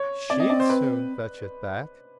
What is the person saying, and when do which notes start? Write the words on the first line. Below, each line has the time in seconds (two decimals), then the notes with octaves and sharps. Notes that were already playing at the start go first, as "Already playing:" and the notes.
'She'd soon fetch it back!'
Already playing: C#5
0.30 C4 D5
0.40 D#5
0.50 D5
0.60 C5
0.70 B4